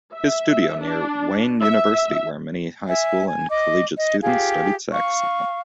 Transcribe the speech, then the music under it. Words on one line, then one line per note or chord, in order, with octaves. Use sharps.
His studio near Wayne University where many high school and collegiate students studied saxophone.
E5
D4
E5
E5 G#5
G#5
D#5 D6
D#5
F4 G4 G#4 F5
F5 C#6